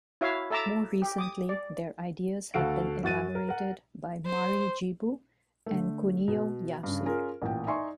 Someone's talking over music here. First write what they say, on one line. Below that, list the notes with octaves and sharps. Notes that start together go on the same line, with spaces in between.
More recently, their ideas have been elaborated by Mari Jibu and Kunio Yasue.
E4 F#4 C#5 E5 F5
A4 E5 A5 A#5 D6 E6
G4
D6 D#6
D5
D2 F#4 A4 F5 F#5 D7
F#2 F#4 A6 D#7
A#4
A#4 F#5
C5
D3 A3
B2
G2 C#3
C#4 F4 G#4 A#4
A1 A#2 G5
D#4 D5 E5 G#5 C6 C#6